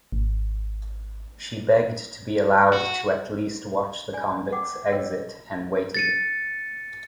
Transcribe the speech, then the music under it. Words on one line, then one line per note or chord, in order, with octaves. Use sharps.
She begged to be allowed to at least watch the convict’s exit, and waited.
G#1
F#4
D5 G#5
F#5 G5 D6 D#6
C#5 D#5 G5 E6
A6 C#7 D#7